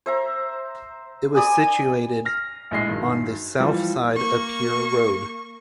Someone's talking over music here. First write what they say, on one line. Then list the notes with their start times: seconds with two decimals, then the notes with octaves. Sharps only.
It was situated on the south side of Pier Road.
0.06 C5 E5 A#5
1.35 D5 G#5 B5 D#6
2.25 F6 A#6
2.71 A#1 A2 G#3 D#5 C7
2.88 G2 D#3 F#3
3.60 E3 F3 G3
4.16 A#3 C#6